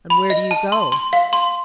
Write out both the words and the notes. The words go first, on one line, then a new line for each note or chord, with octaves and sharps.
"And where do you go?"
B5
D#5
A5
C6
C6
F5
C6